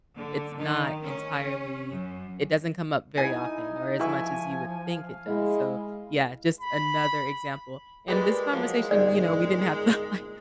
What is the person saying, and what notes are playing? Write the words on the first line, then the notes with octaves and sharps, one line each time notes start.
it's not entirely it doesn't come up very often or as much as you would think it does, so, yeah, just another example. In this conversation, you know, we didn't have to, like
D3
D#3
C#4
F#2
D#4 E4 G#5
F3 E4 G#5 C#6
F5
G#3 E4
B5
A#2 G#3 G4 B4 D5
F3 F#3
G1 G#2 D5